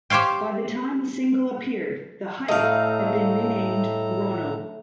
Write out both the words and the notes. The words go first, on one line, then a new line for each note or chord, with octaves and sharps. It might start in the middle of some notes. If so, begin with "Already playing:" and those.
By the time a single appeared, The Hype had been renamed Ronno.
G4 C5 C#5 F5 G5
A2 A3 D#4 A4 F5 A#5